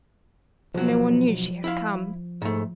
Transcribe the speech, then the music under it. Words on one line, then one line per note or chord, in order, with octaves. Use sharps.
No one knew she had come.
B1 F3 F#3
E4 E5 F5
G#2 A3